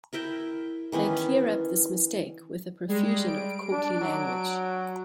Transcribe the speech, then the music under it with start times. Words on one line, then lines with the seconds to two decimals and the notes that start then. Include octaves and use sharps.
They clear up this mistake with a profusion of courtly language.
0.13 E4 A#4 E5 G5
0.92 D#3 E3 B3 C#4
2.89 G3 G#3
3.27 D7
3.71 D4
4.01 F#3